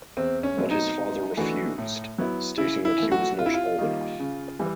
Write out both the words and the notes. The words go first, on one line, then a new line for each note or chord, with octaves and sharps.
But his father refused, stating that he was not old enough.
E2 C4
C#4
B2 F#3 A3 C4
D#4
C3
E3 A3 D4 F#4
A2
F#3 B3 E4
C#3 E4
E4
E3 A3
F#4
C3 F4
E4
F4
D#3 G3 A#3
C#3
E3 G3